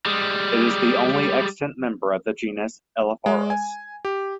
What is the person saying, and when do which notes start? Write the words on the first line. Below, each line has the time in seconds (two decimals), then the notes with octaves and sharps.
It is the only extant member of the genus "Elaphurus".
0.06 G3 G#3
3.26 G#3
3.50 G#5
4.05 G4